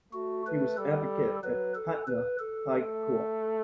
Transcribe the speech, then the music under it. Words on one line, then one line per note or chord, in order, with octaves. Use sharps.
He was Advocate at Patna High Court.
A3 F#4
B4
G3 A4
F#3 B4
A4
B4
A4
A3